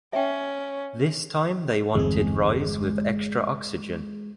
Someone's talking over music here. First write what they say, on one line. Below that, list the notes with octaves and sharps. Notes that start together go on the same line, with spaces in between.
This time they wanted rise with extra oxygen.
C#4 E5 G5
G1 E2 G#3 C4 G#4